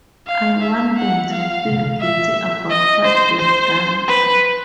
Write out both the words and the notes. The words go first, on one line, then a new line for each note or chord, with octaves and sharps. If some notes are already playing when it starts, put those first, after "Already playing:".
I want them to feel guilty about what they've done.
F5
E5
F#5
F5
E5
D#5
C5
C5
B4